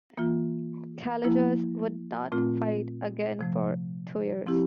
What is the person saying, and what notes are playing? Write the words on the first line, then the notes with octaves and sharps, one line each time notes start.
Callejas would not fight again for two years.
E3 A#3 F4
F3 A#3 E4
A#2 A3 C4 F4
C3 F3 A3
F3 C4 E4 G4